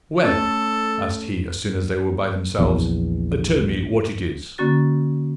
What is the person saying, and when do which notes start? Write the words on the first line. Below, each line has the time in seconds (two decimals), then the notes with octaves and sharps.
"Well," asked he, as soon as they were by themselves, "tell me what it is?"
0.24 A3 C#4 A4
2.59 A#1 E2
4.58 D3 A#3 C#4 F#4 A6